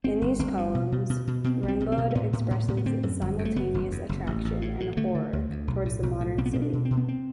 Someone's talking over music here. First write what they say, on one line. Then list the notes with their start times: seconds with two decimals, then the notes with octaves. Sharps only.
In these poems, Rimbaud expresses a simultaneous attraction and horror towards the modern city.
0.04 G1 C4
0.22 G1
0.39 G1 C4
0.57 G2
0.75 B2
0.92 B2
1.10 B2
1.27 B2
1.44 B2 C4
1.63 B1
1.68 C4
1.80 B2
1.92 C4
1.98 B2
2.11 A3
2.15 A2 B3
2.33 A2
2.50 A2
2.68 A2
2.77 B3
2.86 D3 C4
3.03 F#2
3.22 G1
3.39 F#2
3.45 A3
3.56 F#1 B3
3.74 F#1
3.92 E2
4.09 F#1
4.27 A1
4.45 A1
4.62 A2
4.80 A2
4.97 D3 A3
5.15 D3
5.33 D2
5.50 D2
5.68 B1
5.85 A2
6.03 B1
6.20 A2
6.38 B1 C4
6.46 B3
6.53 B2 C4
6.62 D4
6.73 B2
6.85 C4
6.91 B2
6.97 B3
7.08 C4